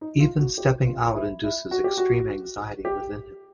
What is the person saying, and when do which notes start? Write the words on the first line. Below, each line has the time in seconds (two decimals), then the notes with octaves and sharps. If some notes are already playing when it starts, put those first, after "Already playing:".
Even stepping out induces extreme anxiety within him.
0.01 D#4
0.20 F4
0.39 F#4
0.58 G4
0.86 F4
1.15 E4
1.44 E4
1.71 F#4
1.84 G4
1.97 F#4
2.85 G4